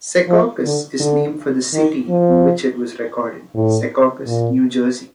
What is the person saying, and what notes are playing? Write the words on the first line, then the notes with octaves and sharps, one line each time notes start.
"Secaucus" is named for the city in which it was recorded, Secaucus, New Jersey.
F3
D3
D3
D#3
F3
A2
A#2